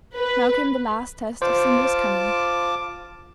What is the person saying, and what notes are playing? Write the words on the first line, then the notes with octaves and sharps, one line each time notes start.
Now came the last test of Sindri's cunning.
B4
F4 C5 A5 D6